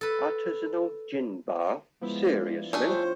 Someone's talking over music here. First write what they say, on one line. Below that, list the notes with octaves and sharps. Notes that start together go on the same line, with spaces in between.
Artisanal gin bar, seriously?!
A4 B4
F3 G#3 B3 E4
D4
A3 D4 G#4
F4 C5 C#5 G5